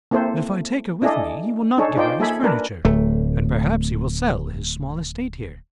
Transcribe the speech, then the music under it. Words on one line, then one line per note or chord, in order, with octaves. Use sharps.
"But if I take her with me, he will not give her his furniture, and perhaps he will sell his small estate here."
A#3 C4 E4 A4 C5
D4 E4 G#4 A4 D5 D#5
D4 D#4 G#4 A4 C#5
D#4 F4 C5 D5 G5
A#3 G#4 A4 E5 G#5 B5
D4 A#4 B4
D1 A3